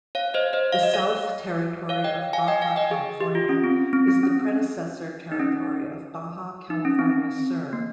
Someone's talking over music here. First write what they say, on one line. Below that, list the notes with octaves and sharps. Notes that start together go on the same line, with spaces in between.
The South Territory of Baja California is the predecessor territory of Baja California Sur.
C#5 F5
C5 D#5
C5 D#5
F5
D#5
C#5 F5
C#5 F5
D#5 G5
F5 G#5
D#5 G5
F5 G#5
D#5 G5
G#4
G4
F4
C#4
C4
C4
C4
C#4
D#4
C#4
D#4
C#4
C4
A#3